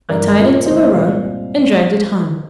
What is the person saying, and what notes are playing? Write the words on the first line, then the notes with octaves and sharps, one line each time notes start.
'I tied it to a rope, and dragged it home.
G2 D#3 G3 A#4 D5
A#2 F3 C4
D2 D3 G#3 C4 C5 D#5
C2 A#2 G3 C4 D5 F5